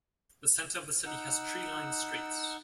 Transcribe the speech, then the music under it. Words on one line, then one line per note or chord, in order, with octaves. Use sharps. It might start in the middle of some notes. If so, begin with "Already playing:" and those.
The center of the city has tree-lined streets.
D#4 F#5 E6